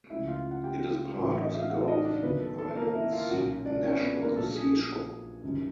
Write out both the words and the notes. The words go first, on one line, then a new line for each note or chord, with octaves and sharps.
It is part of the Gulf Islands National Seashore.
C#2 C#3 F3 A3 E4 E5
F4 F5
F#5
G4 G5
A1 A2 F#3
D#5
E5
F5
F#4 F#5
D5
D#4 D#5
D4 D5
D#2 D#3 F#3 B3 B4
A4
A4
A#3 A#4
E4 E5
F4 F5
B1 A#2 F#3 A#3 C#4 F#4 F#5
D4 D5
C#4 C#5
B3 B4
A#3 A#4
A#1 A#2 F#3 A4
G#4
G#4
F#2 D#3 G3